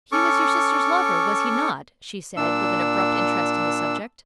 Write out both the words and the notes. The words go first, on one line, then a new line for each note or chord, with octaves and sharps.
"He was your sister's lover, was he not?" she said, with an abrupt interest in the subject.
C#4 A4 C#6 D6
A#2 D4 E6